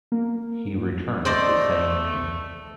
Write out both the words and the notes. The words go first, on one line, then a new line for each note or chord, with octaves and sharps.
He returned the same year.
A#3
A3 C5 D5 D#5